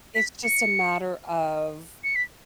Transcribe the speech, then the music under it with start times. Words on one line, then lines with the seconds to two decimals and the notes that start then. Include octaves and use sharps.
it's just a matter of,
0.15 B6
0.44 C#7
2.04 C#7
2.16 B6